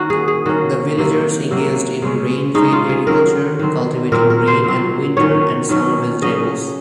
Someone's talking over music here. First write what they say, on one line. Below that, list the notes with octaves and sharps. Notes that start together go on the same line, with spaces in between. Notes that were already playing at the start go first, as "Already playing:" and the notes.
The villagers engaged in rainfed agriculture, cultivating grain and winter and summer vegetables.
Already playing: D#3 A#3 C#4 F#4
G#4
G#4
D#3 A#3 C#4 F#4
C3 F#3 A#3
C3 F#3 A#3
C#3 G#3 C#4
C#3 G#3 C#4 D#4
F4
G#4
D#3 F#3 C4 A#4
D#3 F#3 C4
A#2 F#3 C4 A#4
A#4
C5
A#2 F#3 C4
D#3 F#3 C#4 C#5
D#3 F#3 C#4
C#3 F#3 C#4 D#5